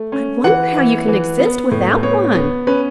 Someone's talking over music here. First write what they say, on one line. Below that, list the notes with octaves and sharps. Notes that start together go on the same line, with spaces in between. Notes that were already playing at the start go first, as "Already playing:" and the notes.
'I wonder how you can exist without one.
Already playing: A3
C#4
E3 F#5
E3
E3
B3
A2
B3 C#5
B3
C#4 B4